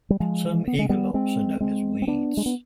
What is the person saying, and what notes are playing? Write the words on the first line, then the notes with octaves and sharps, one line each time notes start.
Some "Aegilops" are known as weeds.
G3
F3 G#3
B3
G#3
G3 B3
G#3 C4
G#3 C4
C4
B3 D4
G#3
B3